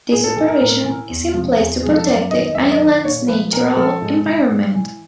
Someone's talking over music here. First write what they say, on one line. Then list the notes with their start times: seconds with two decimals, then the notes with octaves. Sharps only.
This supervision is in place to protect the island's natural environment.
0.12 A2 G#4
0.24 A4
0.36 E3 A4
0.48 A#4
0.61 A2 A#4
0.85 E3
1.09 E2
1.34 C3 F3
1.57 E2 G#4
1.82 C3 G#4
1.87 F3
1.95 A4
2.06 F#2 D5
2.31 D#3 D#5
2.47 D#5
2.55 F#2 E5
2.71 D#5
2.79 D#3
2.88 D5
3.04 A#2 C#5
3.28 F3 B4
3.52 A#2 A#4
3.71 A#4
3.77 F3 A4
4.02 G#2
4.26 E3
4.50 G#2
4.75 E3